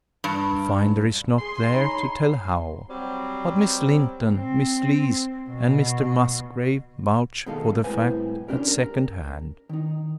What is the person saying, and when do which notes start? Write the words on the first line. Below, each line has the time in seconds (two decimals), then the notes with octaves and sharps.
The finder is not there to tell how; but Miss Linton, Miss Lees, and Mr Musgrave, vouch for the fact at second hand.
0.24 G2
1.38 G#4 G#5 C6
1.73 D#4 C#5 G#5 A#5 B5
2.90 F#3 G3 C4
4.37 C4
5.50 B2
7.46 B2 D#3 G#3 A#3 A4 F5
7.84 C2 A2 B4 C5 G#5
8.48 C#4 D4 G4 A#4
8.68 A#4
9.69 D#3 D#4